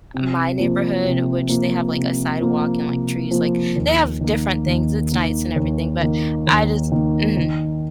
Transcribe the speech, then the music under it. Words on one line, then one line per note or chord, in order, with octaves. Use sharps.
my neighborhood, which they have, like, a sidewalk and, like, trees. Like, they have different things. It's nice and everything, but I just mhm.
C3
F3 A#3
C3
F3 A#3
C3
F3 A#3
C3
F3 A#3
D#2
D#3 A#3
D#2
D#3 A#3
D#2
D#3 A#3
D#2
D#3 A#3
D#3